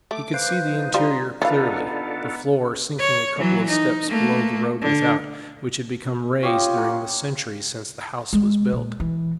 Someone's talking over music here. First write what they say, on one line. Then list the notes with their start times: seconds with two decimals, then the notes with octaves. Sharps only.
He could see the interior clearly--the floor sinking a couple of steps below the road without, which had become raised during the centuries since the house was built.
0.11 A3 D6
0.34 B4 C5 F5
0.67 D#4
0.94 G3 F4 C5 A#5 C6 D#6
1.42 E3 B3 D4 D#4 F4 A4 F5 B5
2.99 C#5
3.38 E3 F#3
3.69 D#4
4.09 A3 A#3
4.81 D3 D4
6.43 C#4 F4 G4 D#5
6.77 A#3 F#5
8.33 G#3
8.72 A#2
9.00 E3